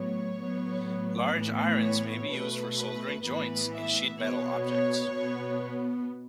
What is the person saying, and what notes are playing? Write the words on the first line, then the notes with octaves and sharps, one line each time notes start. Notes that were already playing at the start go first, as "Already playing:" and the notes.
Large irons may be used for soldering joints in sheet metal objects.
Already playing: A2 F#3 B3 C#5
A2 F#3 B3
A2 E3 B3
C#5
B2 A3 B4
B4
A2 E3 B3 B4
E5
B2 B3 C#5
C#5
B2 B3